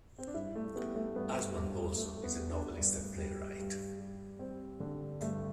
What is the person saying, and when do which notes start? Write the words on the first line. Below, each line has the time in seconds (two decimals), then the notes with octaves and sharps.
Aarsman also is a novelist and playwright.
0.18 C4
0.27 D4
0.34 G2 E4
0.56 A3
0.75 G3 B3
0.96 A3
1.16 G2 B3
1.57 G2
1.97 G2 A3
2.23 B3
2.38 G3
2.51 D4
2.78 G2
3.18 G3
3.59 G2
3.99 G3
4.39 G3 C4
4.80 D3
5.20 G2 A3